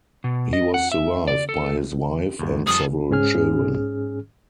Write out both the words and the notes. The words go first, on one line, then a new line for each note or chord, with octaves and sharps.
He was survived by his wife and several children.
B2
D#5
F#5
E5
D5
A4
G1 D#2
F2 G3 G#4 A5 D#6
G#2 C#4 G#4 F6